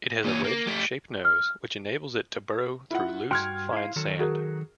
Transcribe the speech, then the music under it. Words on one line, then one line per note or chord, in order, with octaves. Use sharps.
It has a wedged-shaped nose which enables it to burrow through loose, fine sand.
A#2 C#4
A#3
A3 G4
F6
E4 F4 F#5
G2 F#4 G5 C6 F6 G#6
E4 F5
D#3 F#3 A4
F#4 G#4 A#4